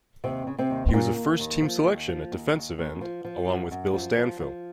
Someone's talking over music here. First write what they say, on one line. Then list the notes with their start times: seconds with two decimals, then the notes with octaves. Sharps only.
He was a First-team selection at defensive end along with Bill Stanfill.
0.24 D#2 C3 C4
0.47 C#3
0.59 C3 C4
0.70 D#2
0.89 C4
0.93 A#2 C#3 A#3
1.17 D#2
1.40 D#2
1.62 F3
1.85 D#2
2.09 F3
2.32 D#2
2.55 D#2
2.78 D#2
3.01 F3
3.25 F3
3.48 F#2
3.71 F#2
3.93 F3
4.17 F3
4.40 F3